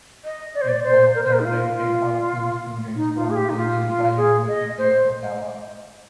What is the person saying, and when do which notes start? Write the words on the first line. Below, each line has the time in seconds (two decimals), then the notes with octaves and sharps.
It was then rented out to students from the nearby University of Ottawa.
0.24 D#5
0.54 D5
0.61 C5
0.68 D5
0.83 C5
1.15 A#4
1.23 C5
1.32 A#4
1.39 D#4
1.44 F4
1.75 F4
2.96 D#4
3.16 F4
3.30 G#4
3.35 G4
3.49 D#4
3.56 F4
3.87 F4
4.16 G#4
4.47 D#5
4.78 C5